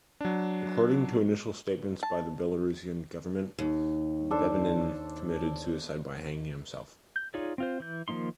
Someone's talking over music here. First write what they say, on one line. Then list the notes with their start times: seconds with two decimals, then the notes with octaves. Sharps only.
According to initial statements by the Belarusian government, Bebenin committed suicide by hanging himself.
0.21 F#3 D4
2.03 A5
3.59 D#2
4.31 D4 A4 C5
7.16 G6
7.34 D#4 F4 G#4 C#5 D5
7.58 C4 F4 C5
7.80 E3 G6
8.08 D#3 F3 A#3 D#4 C6